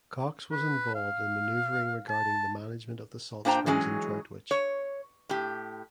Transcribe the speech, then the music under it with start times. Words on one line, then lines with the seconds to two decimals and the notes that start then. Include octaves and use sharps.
Cocks was involved in manoeuvring regarding the management of the salt springs in Droitwich.
0.52 B4
0.95 F5
2.09 A5
3.45 A#2 D4 C5 G5 A#5
3.66 E3 F#3 G#3 C#4 G#4
4.51 C#5
5.29 A2 G4